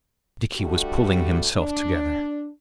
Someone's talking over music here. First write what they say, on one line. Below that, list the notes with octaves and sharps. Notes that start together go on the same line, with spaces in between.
Dickie was pulling himself together.
G3 A3 D4 F#4 G4 A4
D4